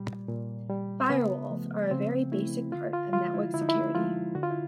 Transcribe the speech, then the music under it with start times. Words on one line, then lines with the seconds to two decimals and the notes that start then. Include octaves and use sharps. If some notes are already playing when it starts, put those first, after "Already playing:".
Firewalls are a very basic part of network security.
Already playing: A#2 G3
0.28 A#2
0.70 G3
1.10 C#3 B3
1.50 F3 A3
1.91 C#3 C4
2.32 F3 A3 E4
2.72 D3 F4
2.93 F4
3.13 F3 G#3 F4
3.34 E4
3.54 D3 E4
3.61 D#4
3.69 E4
3.95 F3 G#3 F4
4.35 D3 F#4
4.43 F4
4.51 E4